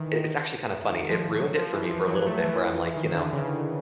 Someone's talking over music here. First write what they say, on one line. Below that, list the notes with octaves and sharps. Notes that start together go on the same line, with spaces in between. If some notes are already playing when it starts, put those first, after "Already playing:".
it's actually kinda funny. It ruined it for me for a little bit where I'm like, "You know,
Already playing: D#3 E3
D#3
F3
F#3
F3
E3
F3
F#3
A3
E3
D#3
D3
C#3